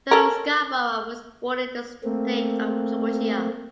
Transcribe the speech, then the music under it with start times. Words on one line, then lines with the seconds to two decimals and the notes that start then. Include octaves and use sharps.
Joe Scarborough was born in the state of Georgia.
0.11 A4 A#4
2.04 A3 A#3 C4